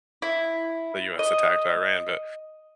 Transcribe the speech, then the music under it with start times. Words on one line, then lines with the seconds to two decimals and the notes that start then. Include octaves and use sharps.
the US attacked Iran, but
0.22 E4
1.19 D#5